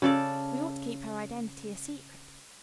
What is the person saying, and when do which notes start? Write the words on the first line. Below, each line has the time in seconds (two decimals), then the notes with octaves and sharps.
We ought to keep her identity a secret.
0.02 C#3 A4 D5